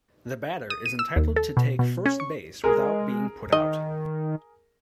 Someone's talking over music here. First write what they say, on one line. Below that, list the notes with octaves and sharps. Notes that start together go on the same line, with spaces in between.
The batter is entitled to take first base without being put out.
D#6
D#7
E6
D#2
A4
B2
B2
C#4
C#6
G#3 G#4 A#4
D#3 D#5